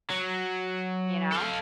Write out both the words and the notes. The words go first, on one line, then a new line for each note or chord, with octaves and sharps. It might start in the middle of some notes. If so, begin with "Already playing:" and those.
You know?
F#3
A4 F5